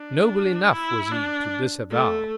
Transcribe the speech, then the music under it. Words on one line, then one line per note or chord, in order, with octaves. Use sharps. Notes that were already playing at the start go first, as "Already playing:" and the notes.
Noble enough was he to disavow!
Already playing: D4
E4
D4
A3